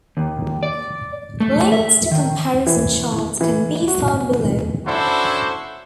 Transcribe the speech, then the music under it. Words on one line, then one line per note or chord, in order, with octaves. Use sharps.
Links to comparison charts can be found below.
D#2
D5
A3
E5
D#3
E3
E3
F#4
C#4 D4 E4 F#4 A4 C5